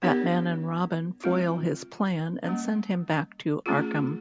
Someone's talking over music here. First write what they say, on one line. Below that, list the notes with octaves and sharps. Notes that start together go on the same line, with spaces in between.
Batman and Robin foil his plan and send him back to Arkham.
B3 D4 G4 A#4 C#5
G#3 C4 F4
G3 A#3 C#4
A3 C#4 F4 G#4